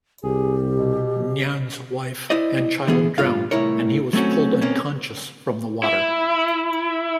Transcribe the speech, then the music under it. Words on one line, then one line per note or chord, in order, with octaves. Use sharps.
Ngạn's wife and child drowned and he was pulled unconscious from the water.
C2 G4 G#4
B2
E4 C5 D5 D#5
D3 E3 B3 G#4
G2 F4 F5
C2 A2 E4 A#4 C#5
F#3 A3 C4 C#4 F#4
B2 A#3 C4 C#4
E4